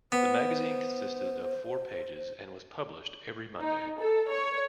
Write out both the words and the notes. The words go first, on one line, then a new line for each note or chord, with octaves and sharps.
The magazine consisted of four pages and was published every Monday.
B3 C5
D#4
A4
C#5